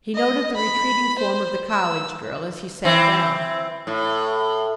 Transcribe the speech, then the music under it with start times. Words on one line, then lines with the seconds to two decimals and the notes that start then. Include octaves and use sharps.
He noted the retreating form of the college girl as he sat down.
0.15 D#5
0.56 B5
1.19 C5
1.69 E6
2.85 E3 C4
3.87 A2